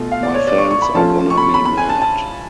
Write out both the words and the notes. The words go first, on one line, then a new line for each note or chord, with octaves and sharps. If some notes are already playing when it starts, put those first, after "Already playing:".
My fans are gonna be mad.
Already playing: B2 A3 F4
F5
D5
C#5
D5
C#6
C#6
B5
F3 A3 C#4 F4 A5
C#6
B5
C#6
B5
B5
G#5
A5
A5